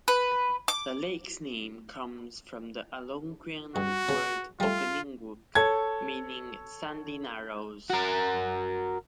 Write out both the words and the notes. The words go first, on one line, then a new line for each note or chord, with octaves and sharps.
The lake's name comes from the Algonquian word "opeauwingauk" meaning "sandy narrows".
B4
D6
G2 F#4
C#3
G3 A3 F4
A4 C#5 G#6
F#4 A#4